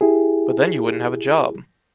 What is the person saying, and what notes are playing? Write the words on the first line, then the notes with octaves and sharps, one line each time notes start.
But then you wouldn’t have a job.
E4 G4 G#4